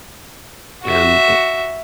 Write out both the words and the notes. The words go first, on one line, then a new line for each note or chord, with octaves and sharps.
and, eh"
F#4 E5